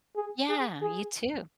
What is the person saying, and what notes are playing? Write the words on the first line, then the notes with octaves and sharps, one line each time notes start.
Yeah, you too.
G#4
G#4
G#4